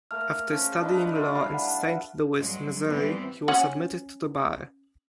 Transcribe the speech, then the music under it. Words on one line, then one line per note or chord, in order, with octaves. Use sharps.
After studying law in Saint Louis, Missouri, he was admitted to the bar.
A3 A#3 F6
C#3 F3 C#6
D4 D#4 B4
F#3 F4 A4
G3 E4 F5 B5
F#5 A5
G2 F#3 G#3
E3 G3 B3 C4
C#4 F#5